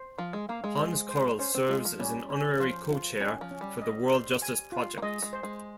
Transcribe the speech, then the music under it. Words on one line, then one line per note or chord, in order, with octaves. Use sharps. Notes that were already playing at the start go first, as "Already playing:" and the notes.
Hans Corell serves as an Honorary Co-Chair for the World Justice Project.
Already playing: C5
F3 C6
G#3
A#3 F5
G#3
C5
C5
C#4 C5
C4
G#3 F4
F3
G3 C#4
C#4
F3 C5
F4
D#3 C#4
F3
C#4
G3
D#5
C5
G#5
F4
A#3
G#3 D#5
G#3
C5
G#3